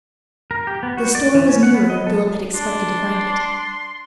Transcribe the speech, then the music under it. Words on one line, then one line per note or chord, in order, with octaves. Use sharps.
The store was nearer than Philip had expected to find it.
A#4
G4
B3
F#4
D5
E3
C#4
F#5
B3
D#5
A4
D4 C6